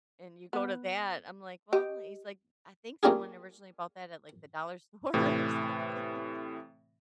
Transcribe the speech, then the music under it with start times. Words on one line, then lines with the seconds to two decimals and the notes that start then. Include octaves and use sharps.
and you go to that." I'm like, "Well," he's like, "I think someone originally bought that at, like, the dollar store or something."
0.53 B3
1.73 G4 D#5
3.03 A#3 C#4 D4 F4 G4 G#4
5.14 A2 C3 E3